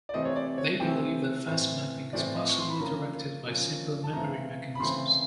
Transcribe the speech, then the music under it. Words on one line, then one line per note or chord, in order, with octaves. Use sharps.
They believe that fast mapping is possibly directed by simple memory mechanisms.
D5
C3 E3 A3 C4 D#5
C#5
D5
C#5
C3 E3 A3 C4 G5
A2 E3 A3 C4
A2 E3 A3 C4 D5
D#5
C#6
C6
B5
C#3 F3 A#3 C#4 A#5
C#3 F3 A#3 C#4
A5
C#3 E3 A3 C4 A#5
B5
C#3 E3 A3 C4 C6